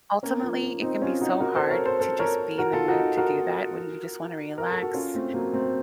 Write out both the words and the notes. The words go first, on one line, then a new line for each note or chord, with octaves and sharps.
ultimately, it can be so hard to just be in the mood to do that when you just wanna relax
A#3 C#4
F3
F3
C4 D#4
C#4 F4
D#4 F#4
F#4 A#4
A4 C5
A#4 C#5
A4 C5
A4 C5
A#4 C#5
F#4 A#4
F4 A4
D#4 F#4
F#4 A#4
A#4
A4
F#4
C#4 F4
A3 C4
F#3 A#3
A3 C4